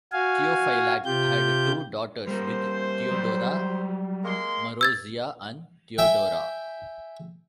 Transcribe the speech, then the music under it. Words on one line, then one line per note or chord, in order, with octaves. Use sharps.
Theophylact had two daughters with Theodora: Marozia and Theodora.
F#4 F5 G#5
C3 F4 G4 G6
G3 A#3 C5
F#3 G3
G#3 A#3 C6
E6 G#6 A6
E5 G5 G#5